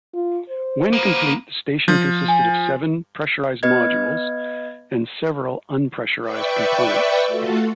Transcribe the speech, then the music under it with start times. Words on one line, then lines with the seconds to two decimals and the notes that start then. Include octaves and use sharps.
When complete, the station consisted of seven pressurised modules and several unpressurised components.
0.14 F4
0.49 C5
0.93 A#3 B3
1.88 F3
2.28 G#5
3.63 B3 B4 D#5 G#6
6.21 B4 D5 E5 G5 C#6
7.27 A3 F4 F#4 A4